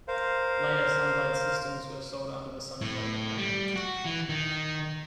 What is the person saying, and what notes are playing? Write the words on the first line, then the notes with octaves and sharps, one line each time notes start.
Later Sun blade systems were sold under the Sun Blade brand.
A#4 C5 F5
A2
G3
F#4
E3
D#3